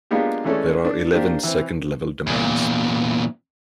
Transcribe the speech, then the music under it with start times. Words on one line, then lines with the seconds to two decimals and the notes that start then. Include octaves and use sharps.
There are eleven second-level domains.
0.11 G#3 A#3 B3 D4 F4 G4
0.44 E3 G#3 A3 C#4 A4 D5
0.85 D4
1.12 A#3 D4 G4 C5
1.43 E3 C4
2.27 E2 A#2